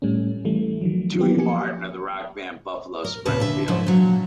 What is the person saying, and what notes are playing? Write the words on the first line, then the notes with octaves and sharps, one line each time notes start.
Dewey Martin of the rock band Buffalo Springfield.
A2 G3 A3 C#4
E3 G3 A3
D#3 F3 F#3
F#3 A#3 B3 G4
F3 A#3 G4 G#5 C#7
A#4
D#2 A#2 C#3 B4 A5
D3 E5
G#2 C#3 F3 E4
A#2 F#3